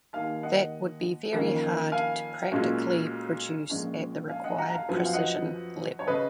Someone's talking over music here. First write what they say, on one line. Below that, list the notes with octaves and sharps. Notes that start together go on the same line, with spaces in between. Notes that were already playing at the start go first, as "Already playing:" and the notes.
That would be very hard to practically produce at the required precision level.
D#2 D#3 A#3 F5 G#5
D#5 F#5
F2 D#3 A#3 C#4
F5 G#5
B1 A#2 G#3 C#4
A#1 A#2 G#3 C#4
F5 G#5
D#5 F#5
F#5 A#5
A#5
F5 G#5
F#2 F3 B3 G#5
F#5
F5
D#5 F#5
C#5
C#3 B4 D#5